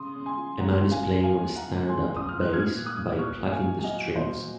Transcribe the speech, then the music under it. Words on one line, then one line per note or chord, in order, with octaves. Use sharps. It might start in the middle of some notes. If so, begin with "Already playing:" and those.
A man is playing on a stand up bass by plucking the strings.
Already playing: C#3 C6 D#6
C#3
G#5 C6
F3
C#3 F#5 A#5
C#3
F5 G#5
F3
F3 F5 G#5
F3
F#5 A#5
C#3
C#3 G#5 C6
C#3
D#6
F3 F6
F#6
A#2 F6 G#6
A#2
D#6 F#6
A#2
A#2 C#6 F6
A#2
F5 G#5
A#2
G#5
F#3 D#5 F#5
A#2
C5 D#5
F#3